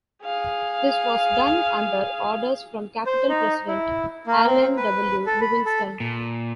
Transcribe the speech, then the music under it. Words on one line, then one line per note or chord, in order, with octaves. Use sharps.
This was done under orders from Capitol president Alan W. Livingston.
G#4 F5
C5
D#4
E4
A#3
C4
B4
A4
B5
A4
A#2